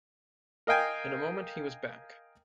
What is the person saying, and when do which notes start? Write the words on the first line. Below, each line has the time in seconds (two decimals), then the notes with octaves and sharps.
In a moment he was back.
0.67 A#4 D#5 F5 G5 G#5